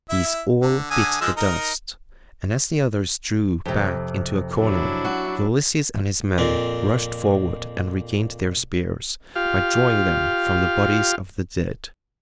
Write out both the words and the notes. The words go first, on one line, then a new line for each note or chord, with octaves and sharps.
These all bit the dust, and as the others drew back into a corner Ulysses and his men rushed forward and regained their spears by drawing them from the bodies of the dead.
E4 E5
D3
D3 G#5 D#6
F3 G#3 E6
D#4 A#4
F2 C3
F#3 D4 E4
F#4
F2 A#2 C4
F4 G4 F5